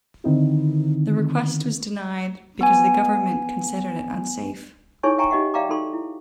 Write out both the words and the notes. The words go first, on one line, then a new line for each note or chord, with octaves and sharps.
The request was denied because the government considered it unsafe.
D3 D#3 C4 D#4 E4
B3 G#5
D#4 E4 G#4 C#5 G#5 C#6
C#5 E5 G5 G#5 A#5 C#6
D#4 G4 D#5 E5 F#5 C#6
D5 E5 F5 G5 A#5 D6
D#4 F#4 A4 C6 C#6
E4